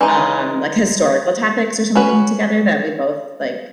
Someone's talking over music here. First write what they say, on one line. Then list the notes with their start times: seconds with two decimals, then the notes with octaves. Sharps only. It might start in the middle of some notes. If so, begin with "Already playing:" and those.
um, like historical topics, or something, together that we both like.
0.01 E3 G#3 D#4
1.95 C#4 F#4 B4